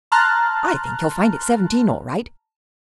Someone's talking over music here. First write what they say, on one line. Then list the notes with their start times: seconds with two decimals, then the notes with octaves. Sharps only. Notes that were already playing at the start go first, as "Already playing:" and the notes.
I think you'll find it's seventeen all right.
0.12 A5 A#5 C6 F6 F#6 A6